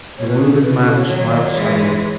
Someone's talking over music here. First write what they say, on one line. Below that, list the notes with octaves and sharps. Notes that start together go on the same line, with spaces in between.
The wounded man smiled sadly.
B2 C#5
B4
G#4
A4
C#3 E3 B4
B4
A4
C#5
D#3 F#3 C#5
C#5
D#5
C#5
E3 G#3